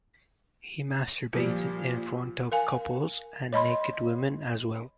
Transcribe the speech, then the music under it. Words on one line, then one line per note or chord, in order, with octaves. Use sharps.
He masturbated in front of couples and naked women as well.
A#2 F3 G3
A#4 F5 G#5
C#5 D#5 B5 C6